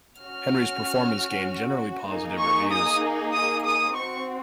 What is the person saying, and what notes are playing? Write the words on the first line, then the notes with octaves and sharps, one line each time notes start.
Henry's performance gained generally very positive reviews.
C#4 F#4 F6
A#3 D#4 G#4
C#6
D#6
D#6
D#6
C4 F#4 C#6